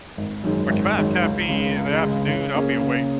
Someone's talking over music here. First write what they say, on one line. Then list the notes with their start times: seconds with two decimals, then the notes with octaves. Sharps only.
like, if I have caffeine in the afternoon, I'll be awake,
0.17 G#1
0.44 F#2 D#3 G#3
0.70 G#1
0.96 F#2 D#3 G#3
1.23 C#2
1.49 C#3 G#3
1.76 C#2
2.02 C#3 G#3
2.28 C#3
2.54 A#3 C#4 G#4
2.81 C#3